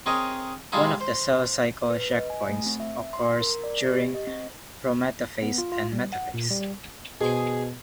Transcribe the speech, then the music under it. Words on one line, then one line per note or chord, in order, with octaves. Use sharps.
One of the cell cycle checkpoints occurs during prometaphase and metaphase.
C4 G#4 A#4 C#5 D#5
G3 G#3 D#4 F4 G#4 A4
C5
B4
D#5
G#5
A3
C4
E5
C6
A#4
D5
G4
D#5
C4
B3
F4
F4
G3
F#5
A#2
G3
B2 G#4 C5